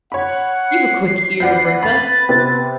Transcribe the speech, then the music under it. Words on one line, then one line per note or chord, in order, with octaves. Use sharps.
You've a quick ear, Bertha.
C#5 F#5 B5
C7
B4 D5 F#5 G6
B5 A6
C3 B3 C4